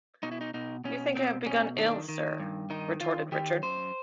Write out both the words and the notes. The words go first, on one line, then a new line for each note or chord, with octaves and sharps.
"You think I have begun ill, sir," retorted Richard.
B2 D#4
E4
D#4
B2 D#4
B2 C#4
B2 C4
B2 C#4
D#3 D4
D#3
G2
D#3 D#4
D#3 F4
D#3 G4
F#2 C5